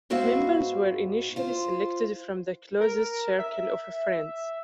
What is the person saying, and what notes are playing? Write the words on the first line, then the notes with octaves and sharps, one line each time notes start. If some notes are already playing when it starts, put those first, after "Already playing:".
Members were initially selected from the closest circle of friends.
G#2 B3 F#4 C5 E5 F5
F4 C5
A#4
E5